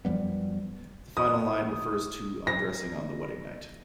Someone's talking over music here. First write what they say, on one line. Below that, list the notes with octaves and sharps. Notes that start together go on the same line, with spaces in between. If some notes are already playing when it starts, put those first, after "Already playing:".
The final line refers to undressing on the wedding night.
F#2 F3 G3 B3
D#6
A#6